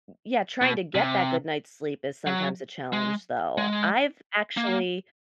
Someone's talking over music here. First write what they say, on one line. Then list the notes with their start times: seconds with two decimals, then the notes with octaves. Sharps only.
yeah, trying to get that good night's sleep is sometimes a challenge, though. I've actually
0.62 B2
0.95 C3
2.27 F#3
2.93 G#3
3.58 G#3
4.57 A#3